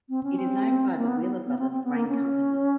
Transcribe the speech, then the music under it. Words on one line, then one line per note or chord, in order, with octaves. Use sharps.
It is owned by the Wheeler Brothers Grain Company.
C4
C#4
C4
A#3
B3
B3
B3
C4
C4
B3
A#3
C#4